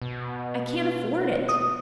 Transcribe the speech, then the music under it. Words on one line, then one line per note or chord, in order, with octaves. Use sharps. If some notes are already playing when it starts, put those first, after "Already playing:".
I can't afford it.
B2
D#6